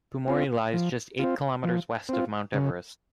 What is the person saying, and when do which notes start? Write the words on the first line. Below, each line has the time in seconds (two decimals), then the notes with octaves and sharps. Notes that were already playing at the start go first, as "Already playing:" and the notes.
Pumori lies just eight kilometres west of Mount Everest.
0.28 C4 F4
0.73 F3
1.19 C4 F4
1.64 F3
2.09 C4 F4
2.54 C#3